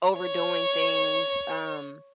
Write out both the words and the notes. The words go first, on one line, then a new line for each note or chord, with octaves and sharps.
overdoing things, um,
C#5